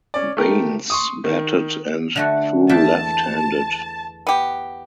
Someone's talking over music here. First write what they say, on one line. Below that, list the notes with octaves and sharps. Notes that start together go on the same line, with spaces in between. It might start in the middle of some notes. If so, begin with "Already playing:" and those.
Baines batted and threw left-handed.
C#4 D5
A3 G4 A#4
C6 C#6 D#6
D#3
D3 A3 F#4
E2 E5 G5 A5
B3 G4